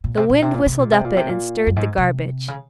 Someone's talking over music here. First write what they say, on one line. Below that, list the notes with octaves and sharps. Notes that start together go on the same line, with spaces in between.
The wind whistled up it and stirred the garbage.
A#2
C3
A#2
C3
A#2
C3
A#2
C3
A#2
C3
A#2
F#2
G#2
C3
C#3